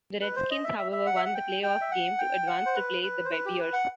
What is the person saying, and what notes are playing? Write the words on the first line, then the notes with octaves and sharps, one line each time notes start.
The Redskins, however, won the playoff game to advance to play the Bears.
B4
C5
D#5
E5
E5
E5
F#5
E5
F#5
G5
G5
E5
F#5
G5
F#5
C5
B4
B4
C5
B4
G4
B4
F#5